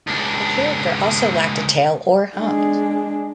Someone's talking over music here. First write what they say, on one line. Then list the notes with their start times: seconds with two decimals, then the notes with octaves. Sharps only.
The character also lacked a tail or hump.
0.08 C#2 D4
2.37 G#3 D4